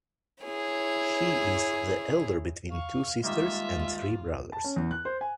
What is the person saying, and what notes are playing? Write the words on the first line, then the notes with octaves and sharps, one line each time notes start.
He is the elder between two sisters and three brothers.
E4 G#4 C#5
F5 C#6
D#3 G3 G#3 A#3 F4 E5
A5
C#4
E2
F#6
C5
G#5